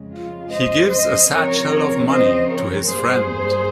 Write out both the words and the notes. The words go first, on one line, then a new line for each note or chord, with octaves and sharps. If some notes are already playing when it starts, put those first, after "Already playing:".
He gives a satchel of money to his friend.
Already playing: F2 C#3 G#3
F4
C5 D#5
C5 D#5
C#3 F3 C4 A#4 C#5
C5 D#5
A#4 C#5
G2 G3 A#3 G#4 C5